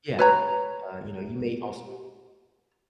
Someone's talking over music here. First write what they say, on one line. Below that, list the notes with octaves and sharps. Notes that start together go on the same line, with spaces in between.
Yeah, I think, uh, you know, you may also lean
B4 C#5 A#5